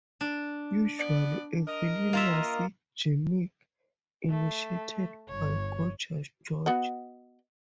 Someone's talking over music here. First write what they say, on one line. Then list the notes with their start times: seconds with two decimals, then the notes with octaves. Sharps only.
Usually a villainous gimmick, initiated by Gorgeous George.
0.21 D4
0.99 B3 B4 D5
1.68 A#4 D#5
2.13 A#3 F4 E5
4.30 A3
5.29 G1 C#5
6.66 B3 F#4 D#5